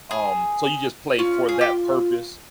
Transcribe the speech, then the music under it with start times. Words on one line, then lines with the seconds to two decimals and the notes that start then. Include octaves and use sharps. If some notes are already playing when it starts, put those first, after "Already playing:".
um, so you just play for that purpose,
0.11 G#4
1.18 C#4 F4
1.49 G#4
1.61 G4